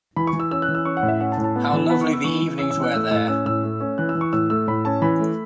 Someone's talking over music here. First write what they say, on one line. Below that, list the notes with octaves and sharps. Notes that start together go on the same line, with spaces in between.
How lovely the evenings were there!
E3 B5
C#6
E3
E6
C#4 E6
F#6
E3
E6
C#4 C#6
F#5
A2
E5
C#4 F#5
A5
A2
A5
B3
E3
B3 B5
C#6
B3
E6
E3 C#6
E3
C#4 E6
E6
E3
F#6
A3 E6
A2 E6
C#4 E6
A2 E6
A3
C#4
E3 F#6
E6
E3
C#6
A2 E6
A3 E6
A2 B5
C#4 A5
E3 B5
A3